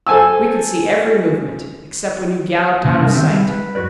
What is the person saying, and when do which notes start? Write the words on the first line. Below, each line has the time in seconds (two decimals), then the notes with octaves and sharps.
We could see every movement, except when you galloped out of sight.
0.07 A4 C5 G#5 A5 E6
2.85 C3 E3 A#3 C#4
3.02 G3 G#3 D#4 A#4 E5 A5
3.14 D#3 F#3 C4 G4 E5
3.28 G3 G#3
3.47 B4
3.75 F#2 F#4 B4 D5